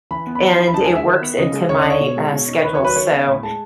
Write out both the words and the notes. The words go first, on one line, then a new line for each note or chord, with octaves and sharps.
and it works into my, uh, schedule, so,
E3 B5
B3
B5
E3
E4
B5
D#4 A5
G#5
G#3
E5
D#3
B3
C#3 D#5
G#3
C#3 C#5
D#5
D#4
C#5
B2
G#3
B2
D#4
D#3 B4
C#5
F#3 B4
D#3 C#5
B3
A2 B5
G#3 A5